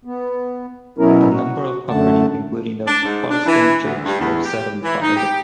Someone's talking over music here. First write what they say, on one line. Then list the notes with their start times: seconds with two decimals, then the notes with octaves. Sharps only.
A number of properties, including the Protestant church, were set on fire.
0.05 B3
0.98 B2 F#3 B3 C#4 E4 A#4
1.31 F#4
1.89 F#2 D3 A3 F#5 A5
2.87 D4
3.04 G#2
3.28 D4
3.46 E3
3.83 D2
4.05 G2
4.19 E2
4.45 G4
4.82 E3
5.01 D#4
5.17 G4